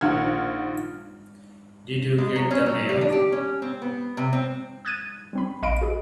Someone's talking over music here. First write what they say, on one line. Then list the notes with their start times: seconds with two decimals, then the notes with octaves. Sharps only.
Did you get the Mayor?
0.01 A#1 D#3 F4 F#5 F6 G#6
2.18 G#3
2.36 F#3
2.51 C#4
2.66 F#3
2.89 G3
3.01 D4
3.12 G4
3.32 C#4
3.62 C4
3.82 B3
4.17 C3
4.33 C4
4.85 D#6 F#6 G#6 A6 D#7
5.33 G3 C4 B5
5.62 A#1 D#5 F5 B5 D7
5.81 F#4 G#4